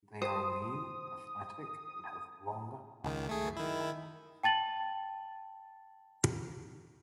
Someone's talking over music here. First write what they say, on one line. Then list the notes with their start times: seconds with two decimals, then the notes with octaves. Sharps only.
They are lean, athletic, and have long upcurving horns.
0.22 C5 D#6
3.04 C#2 D#3
3.29 A3 G#4
3.57 D#3 E4
4.43 G5 A5 A6 F#7